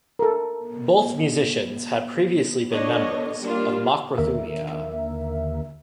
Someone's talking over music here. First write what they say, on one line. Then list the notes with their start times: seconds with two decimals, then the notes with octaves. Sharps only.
Both musicians had previously been members of Makrothumia.
0.19 A4 A#4
2.71 D3 B3 D4 C#5 D#5
3.43 G3 A#3 D4 F4
4.18 D#2 D3 A#3 A#4 E5